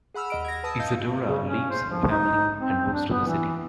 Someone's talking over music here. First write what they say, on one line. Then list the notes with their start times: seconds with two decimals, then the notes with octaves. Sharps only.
Isadora leaves her family and moves to the city.
0.14 G#4 F#5 B5 E6 F6
0.30 D#2 D#5 D7
0.45 G#6 A#6
0.64 B4 A5 D#6 E6
0.80 D#5 F5 G6
1.27 C#3
1.48 C#4
1.71 C5
1.87 F3
2.11 D#4
2.60 C4
2.93 D4
3.10 B3
3.27 E3